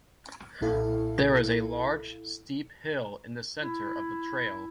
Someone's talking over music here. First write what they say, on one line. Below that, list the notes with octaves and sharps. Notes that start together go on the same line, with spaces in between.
There is a large, steep hill in the center of the trail.
B1 A#2 E4 A4 F5
E4